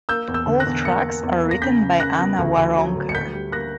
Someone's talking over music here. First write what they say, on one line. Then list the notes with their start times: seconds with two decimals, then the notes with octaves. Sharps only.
All tracks are written by Anna Waronker.
0.09 A#3 E6 G6
0.28 E2
0.34 E6 G6
0.47 D3
0.60 F#6 A#6
0.66 E2
0.85 A#3 A#6 C#7
1.05 A#3
1.23 E2
1.43 A#3
1.51 A#6
1.62 C#3 G6 B6
1.81 C#3
2.00 C#3 F#6 A#6
2.19 B3
2.38 D2
2.58 D2
2.77 F#3
2.95 D2
3.09 C#7
3.15 D2 G6 B6
3.33 G3
3.52 A#3 F#6 A#6